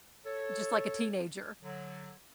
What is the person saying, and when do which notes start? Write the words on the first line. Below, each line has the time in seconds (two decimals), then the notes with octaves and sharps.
Just like a teenager.
0.26 A4 C#5
1.62 D3 F#3